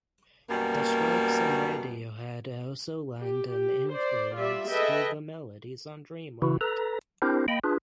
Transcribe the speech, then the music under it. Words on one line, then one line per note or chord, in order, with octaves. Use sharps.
The Strokes and Radiohead also lend an influence to the melodies on "Dreamland".
F#2 B2 G3 A#3
G4
G4
C5 D5
G3 F4 D5 E5
G#4 A4 B4 D#5 E5 G5
C#3 E3 E4 F#4
A4 B4 A#5
C4 D4 E4 G4 A#4 C5
A#3 D#5 G5 B5
D4 F4 G#4 B4